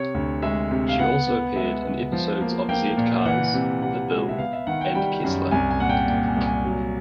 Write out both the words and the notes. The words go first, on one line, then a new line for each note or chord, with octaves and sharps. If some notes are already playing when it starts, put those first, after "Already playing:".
She also appeared in episodes of "Z-Cars", "The Bill" and "Kessler".
Already playing: C3 C#5
D2
G#3 E5
C3
F5
B3 F#5
B3
G#3 E5
B3
F3
A#3
A#3 G5
A#2
E3 F#5
C3
C3 F#5
G#3
E5
B3 F5
E5
D#3 F#5
G5
G3 G5
F#2
C2 G#5
G#5
A#2 F#5
G5
A#2 G5
G#5
C2
G#5
F#3